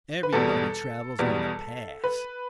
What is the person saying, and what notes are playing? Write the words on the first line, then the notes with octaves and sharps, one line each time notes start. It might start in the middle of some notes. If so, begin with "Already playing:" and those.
Everybody travels on a pass.
B4
E2 B2 G3 A4
E2 B2 G3
B4